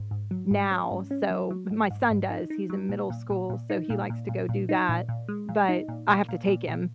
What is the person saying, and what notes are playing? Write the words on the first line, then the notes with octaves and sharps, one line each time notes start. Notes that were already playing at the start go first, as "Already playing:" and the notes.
now, so my son does, he's in middle school, so he likes to go do that, but I have to take him,
Already playing: G#2
G#2
F#3
G#2
C#4
G#2
C#4
F#3
F#3
G#2
G#2
G#2
D#4
D#4
F#3
A#2
A#2
A#2
A#2
D#4
A#2
A#2
A#2
A#2
D#4
A#2
A#2
G#3
A#2
D#4
A#2
A#2
A#2
A#2
A#2